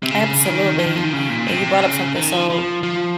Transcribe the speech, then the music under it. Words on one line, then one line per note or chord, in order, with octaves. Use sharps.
Absolutely, and you brought up something so,
C3
C#3
D#3
F3
D#3
F3
D#3
C#3
A#2
C3
C#3
D#3
F3
F3
F3